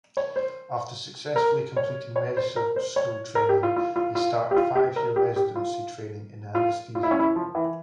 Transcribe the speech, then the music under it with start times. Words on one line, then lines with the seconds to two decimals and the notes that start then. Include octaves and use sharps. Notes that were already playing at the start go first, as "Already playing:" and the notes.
After successfully completing medical school training, they start a five-year residency training in anaesthesia.
0.17 C#5
0.36 C5
1.36 A#4
1.76 C#5
2.16 C#5
2.37 C5
2.56 A#4
2.76 C5
2.96 C#5
3.35 A#4
3.49 G4
3.63 F4
3.76 F4
3.96 F4
4.15 F4
4.51 G4
4.56 F4
4.75 G4
4.96 A#4
5.16 G4
5.36 G4
5.56 F4
6.55 F4
6.95 F4
7.03 E4
7.11 C#4
7.19 E4
7.36 F3
7.55 E3